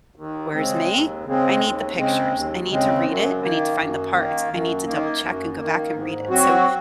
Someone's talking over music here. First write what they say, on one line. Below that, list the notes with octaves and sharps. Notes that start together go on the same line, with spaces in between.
Whereas me, I need the pictures. I need to read it. I need to find the parts. I need to double check and go back and read it. So,
D#2
C#3 G#3 C4
D#2
C#3 G#3 C4
D#2
C#3 G#3 C4
D#2
C#3 G#3 C4
F#2
D#3 A#3
F#2
D#3 A#3
F#2
D#3 A#3
F#2
D#3 A#3
G#2
F#3 C4 F#4